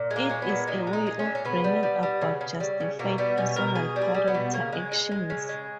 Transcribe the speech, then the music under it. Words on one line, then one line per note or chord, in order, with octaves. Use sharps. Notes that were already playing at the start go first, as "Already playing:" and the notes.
It is a way of bringing about justified, personal character actions.
Already playing: A#2
G#3
A#3
G#3 C#4
B3
A#2
A#2 D#4
G#3
D#4
G#3
C#4
A#2
C#4
C#3 B3
G3
G3
G3
C#3
C#3
G3
C#3
B2 A#3
G3 B3
B2 C#4
B2 A#4
B2 G#4
G3
G#4
G3
B3
B2
C#3 A#3
G#3
G#3
G#3
C#3
G#3